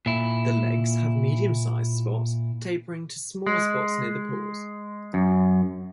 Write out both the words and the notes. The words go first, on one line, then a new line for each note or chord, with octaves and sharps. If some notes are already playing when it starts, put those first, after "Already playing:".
The legs have medium-sized spots tapering to smaller spots near the paws.
A#2 E4
G#3
F#2